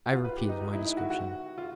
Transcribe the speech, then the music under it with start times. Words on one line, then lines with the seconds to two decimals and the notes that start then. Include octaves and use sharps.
I repeated my description.
0.06 F#4
0.13 F4
0.25 B4
0.37 G4
0.49 D#4
0.61 D#4
0.73 E4
0.85 E4
0.97 F#4
1.10 F#4
1.58 F4